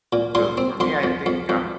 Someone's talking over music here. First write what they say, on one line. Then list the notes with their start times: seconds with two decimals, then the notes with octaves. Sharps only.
'Cause for me, I think I'm
0.13 A#2
0.35 A#2 C6
0.57 C4
0.80 F2 C6
1.03 F2
1.26 F2
1.49 F2